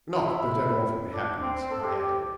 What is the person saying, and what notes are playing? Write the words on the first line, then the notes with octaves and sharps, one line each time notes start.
"Not that that often happens," I added.
F4
E4
D4
C4
C4
A4
G4
G4